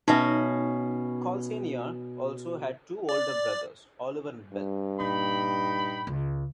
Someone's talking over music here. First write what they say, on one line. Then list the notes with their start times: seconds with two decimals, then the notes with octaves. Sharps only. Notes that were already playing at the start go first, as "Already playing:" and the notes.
Cal Senior also had two older brothers, Oliver and Bill.
0.08 B2 C#4 D#4 E5
3.09 D5
4.53 G2
5.00 A#2 D#4 G5 B5
6.07 C#2